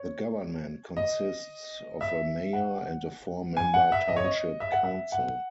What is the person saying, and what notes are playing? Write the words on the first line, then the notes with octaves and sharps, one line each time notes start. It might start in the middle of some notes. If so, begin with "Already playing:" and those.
The government consists of a Mayor and a four-member Township Council.
Already playing: C#5
D#5
E5
F#5
G#5
F#5
E5
D#5
C#5
D#5
E5
F#5
E5
F#5